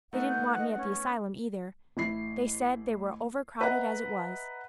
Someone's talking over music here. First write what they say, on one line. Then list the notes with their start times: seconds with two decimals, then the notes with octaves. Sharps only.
They didn't want me at the asylum, either; they said they were over-crowded as it was.
0.13 A3 B3 D#4 F#5
0.29 G6
0.57 D#5
0.76 C#4
1.97 A1 E4 C7
3.61 B4 D#5 E5 F#5 A#5